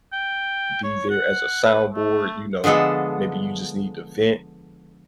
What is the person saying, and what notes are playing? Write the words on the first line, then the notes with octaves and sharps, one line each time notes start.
be there as a soundboard, you know, maybe you just need to vent.
G5
C#5
F#5
B4
A3
D3 F3 G#3 B3 A4